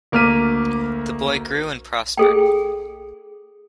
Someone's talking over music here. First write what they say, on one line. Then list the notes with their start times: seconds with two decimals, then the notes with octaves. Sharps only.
The boy grew and prospered.
0.12 D2 A#3 D6 F6 B6 D#7
2.17 G#4 A4 G5